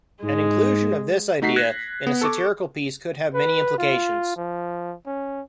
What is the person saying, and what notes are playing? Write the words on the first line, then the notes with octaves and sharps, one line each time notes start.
An inclusion of this idea in a satirical piece could have many implications.
G#2 G#3
A3 D#4 F#4 B6 C7
F#6 G#6 A#6
B3
A4 C#6 D6
B4
F4
F3
C#4